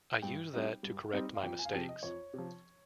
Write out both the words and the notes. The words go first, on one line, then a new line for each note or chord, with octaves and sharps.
I used that to correct my mistakes.
G2 G5
G3 C4 D#4
G2
G3 C4 D#4
F5
F2 G5
G#5
F5
C3 F3 G5
D#5
F2 C#5
C3 F3